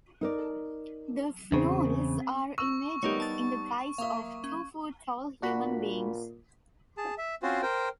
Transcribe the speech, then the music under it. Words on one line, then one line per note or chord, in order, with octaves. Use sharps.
The Fnools are invaders in the guise of two-foot-tall human beings.
D#4 A#4 D5
E2 C#3 C4 G#4 C5
C#6 E6
G3 B3 D#4 G4 A#4 C#5
A5 A6
A#3 E5 F5 C#6 D#6
C#4
A#2 D4 F#4 B5
G#4 A5
E5
C4 C#4 F4 F#4 C5
A#4 C5 G5